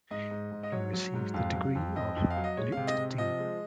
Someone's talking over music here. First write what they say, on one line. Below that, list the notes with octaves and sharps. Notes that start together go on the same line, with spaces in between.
He received the degree of Litt.D.
G#2 D#5
G#2
G#2
D#5
F#3 C#5
F#3
G#2
F2 F5
F#3
F2
F2 D#5
F2
F5
F#3
D#5
G#3 C#5
C3 F5
D#5
C3
F3 D#5
G#3